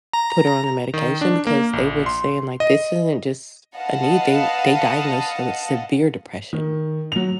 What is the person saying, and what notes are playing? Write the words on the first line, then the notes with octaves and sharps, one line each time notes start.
put her on the medication, because they were j saying, like, "This isn't just a need." They they diagnosed her with severe depression."
A#5
D#3
D4
A#3
A#1
C6
D#5
B4 D#5 F5 F#5 A5
D#3
F#3 F7